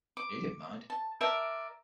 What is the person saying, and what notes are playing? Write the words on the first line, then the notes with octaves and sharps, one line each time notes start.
He didn't mind.
D6
A5
A#4 D5 E5 A5